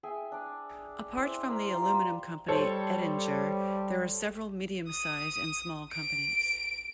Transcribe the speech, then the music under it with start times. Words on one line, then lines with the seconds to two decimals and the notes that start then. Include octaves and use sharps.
Apart from the aluminium company "Oettinger", there are several medium-size and small companies.
0.03 G#4 E5 G5 G#5
0.32 D4 D5
1.16 C4 E4
1.49 A#4 C5 A#5 B5
1.70 F4 G4 F5 C6
1.82 B4 D5
2.48 G3 A4 C5 C#5
4.88 D#6
5.92 D7